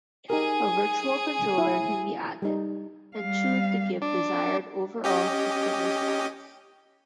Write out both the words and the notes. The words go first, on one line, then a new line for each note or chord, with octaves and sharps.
A virtual controller can be added and tuned to give desired overall system response.
D#4 G4 G#4 A#4 G#5
E4
G3 D#4
G3 F5
D4
C#4 G4 D#5